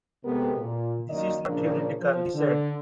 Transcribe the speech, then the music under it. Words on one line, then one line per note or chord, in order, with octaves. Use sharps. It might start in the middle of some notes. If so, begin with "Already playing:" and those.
"This is not theoretical", he said.
C3 G#3 B3 G4 A4 A#4
A#2
F#2 D#3 F#3 A#3 D5 D#5
A#2 C#3 F3 A#3 D4
F3
D3